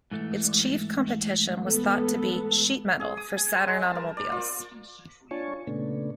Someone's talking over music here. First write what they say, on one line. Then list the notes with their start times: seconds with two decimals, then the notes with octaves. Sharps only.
Its chief competition was thought to be "Sheet Metal" for Saturn automobiles.
0.11 G#2 E3 A3
1.62 B3 A4
3.00 G#4
3.17 D#6
3.37 G#5
3.54 C5
3.68 G#3
3.82 A5
3.95 A#4
4.17 D5
4.32 F4
5.31 D4 F4 C#5 G#5 A5 C#6
5.67 A#2 C#3 A3 B3 D4